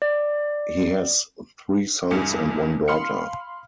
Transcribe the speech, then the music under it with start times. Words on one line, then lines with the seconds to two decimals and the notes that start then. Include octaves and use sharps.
He has three sons and one daughter.
0.02 D5
2.11 F1 E2 G2 G3 C#7
2.88 F5 B5 C6 F6 C#7